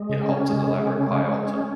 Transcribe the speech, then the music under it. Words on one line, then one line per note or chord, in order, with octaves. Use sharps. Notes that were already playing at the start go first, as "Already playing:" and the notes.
It holds an elaborate high altar.
Already playing: G#3
C#3
C#4
G#3
C#3
C#4
G#3
G#3
C#4